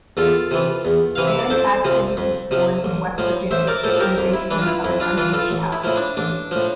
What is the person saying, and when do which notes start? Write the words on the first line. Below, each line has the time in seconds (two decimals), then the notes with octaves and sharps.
Dan Adkins was born in West Virginia, in the basement of an unfinished house.
0.17 E2 F4 A4
0.51 C3 E3
0.85 E2
1.15 C3 E3 F5
1.27 E5
1.39 D5
1.50 F2 A4 C5
1.85 C3 F3
2.17 F2
2.51 C3 F3
2.84 A1
3.18 A2 F3
3.51 A1 C5 E5
3.67 A#4 D5
3.84 A2 F3 A4 C5
3.94 A4
4.00 G4 A#4
4.18 F2
4.34 E4
4.51 E3 D4
4.61 F4
4.67 E4
4.84 F2 E4
5.00 D4 F4
5.17 E3 D4 F4
5.34 F4 A4
5.51 A1
5.73 E4
5.84 A2 F3 E4
5.96 D4
6.17 A1 D4
6.51 A2 F3